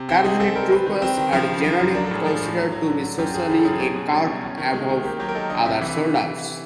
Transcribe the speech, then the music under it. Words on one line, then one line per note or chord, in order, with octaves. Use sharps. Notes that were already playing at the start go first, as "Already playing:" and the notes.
Cavalry Troopers are generally considered to be socially a cut above other soldiers.
Already playing: C3
C4 G4
D#4 G#4
C4 A4
G3 A#4
C4 B4
D#3
C4
D#3
F3
C#3
F3
F#2
D4 A#4
A4
A2 G#4
F3 A4
A2
F#3
F#3
D3
D3
F#2 G4
G4
F#2 G#4
C#3 G4
A4
F#2 G#4
A4
B2 G#4
B2
G3
B2
C#4
D#3
G#3
D#3
A#3 G4
F#3 G4
A#4
D#4 A4
D3 D#5
C3 E5
E3
E5